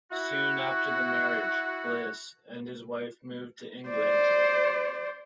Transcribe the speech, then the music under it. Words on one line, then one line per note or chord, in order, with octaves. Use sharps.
Soon after the marriage, Bliss and his wife moved to England.
E4 F#4
C5 D5